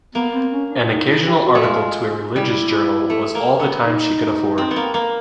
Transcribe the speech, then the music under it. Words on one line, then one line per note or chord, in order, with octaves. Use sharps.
An occasional article to a religious journal was all the time she could afford.
A#3 B3
C4
C#4
D4
D#4
E4
G4
F#4
A3
G#3 F4
G3 E4
A3
A#3
B3
D#4
C4
B3
A#3
A#3